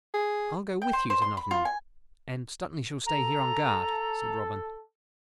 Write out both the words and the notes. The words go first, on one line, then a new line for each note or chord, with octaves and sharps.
"I'll go with you to Nottingham--and Stuteley shall stay here, on guard," said Robin.
G#4
G5
C5
C5
C6
B5
F4
G#5
A4 A#5